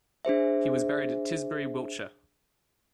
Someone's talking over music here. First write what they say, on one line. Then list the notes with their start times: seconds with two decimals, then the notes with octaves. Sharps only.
He was buried at Tisbury, Wiltshire.
0.25 D4 G#4 C5 E5